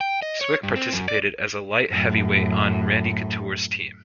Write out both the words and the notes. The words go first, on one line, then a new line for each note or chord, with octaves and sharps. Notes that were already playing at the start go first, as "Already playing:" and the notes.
Swick participated as a light heavyweight on Randy Couture's team.
G5
D#5
C#5
G2
C4
F#2
D5
F#2 A2